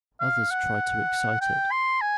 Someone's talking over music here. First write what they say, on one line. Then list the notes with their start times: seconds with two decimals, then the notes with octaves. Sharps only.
Others try to excite it.
0.20 F5
0.51 F#5
1.41 G5
1.72 C6
2.01 G#5